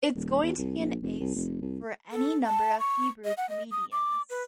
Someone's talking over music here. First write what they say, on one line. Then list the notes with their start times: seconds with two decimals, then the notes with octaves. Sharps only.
It's going to be an ace for any number of Hebrew comedians.
0.16 D#1
0.43 E2
0.58 C2
0.78 A#1
1.03 F1
1.20 C2
1.36 F1
1.61 C2
2.11 A4
2.46 A5
2.80 C#6
3.25 D#5
3.37 F#5
3.49 D#5
3.71 D#6
3.92 D6
4.30 B4